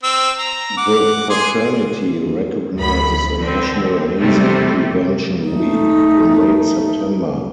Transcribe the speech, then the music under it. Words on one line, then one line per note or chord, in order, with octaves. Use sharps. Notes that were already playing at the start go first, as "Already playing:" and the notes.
The fraternity recognizes a National Hazing Prevention Week in late September.
C4 E6
A#5
F#5 D6
G#4 G#5 C6
D2 B5
D3 C4
C3 G3 A3
A3 D#4